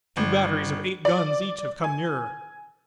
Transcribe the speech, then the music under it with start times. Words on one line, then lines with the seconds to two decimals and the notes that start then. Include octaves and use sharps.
Two batteries of eight guns each have come nearer.
0.17 G1
1.05 D5
1.84 G#5